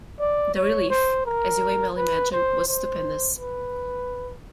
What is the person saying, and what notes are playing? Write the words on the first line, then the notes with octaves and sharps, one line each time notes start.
The relief, as you may well imagine, was stupendous.
D5
C#5
C5
A#4
B4
C5
C5
B4